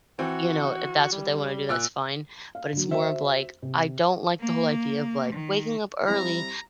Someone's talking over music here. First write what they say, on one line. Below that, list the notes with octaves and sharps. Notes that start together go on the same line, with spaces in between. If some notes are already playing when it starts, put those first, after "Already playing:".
you know, if that's what they wanna do, that's fine, but it's more of, like, I don't like the whole idea of, like, waking up early,
E3 C4 F#4
G3
A#2 E6 F#6
F5
D3 F#3
F#4 C5 E5
C3
A#3
D#3
G3 C4 E4 A#5